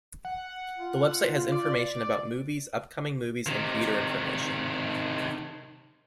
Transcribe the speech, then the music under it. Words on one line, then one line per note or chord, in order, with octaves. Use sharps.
The website has information about movies, upcoming movies, and theater information.
F#5
F4
D5
C3 D#3